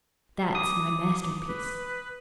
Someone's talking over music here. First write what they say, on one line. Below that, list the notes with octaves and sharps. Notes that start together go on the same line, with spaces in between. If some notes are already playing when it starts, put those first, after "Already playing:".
That's my masterpiece.
D6 D#6
B4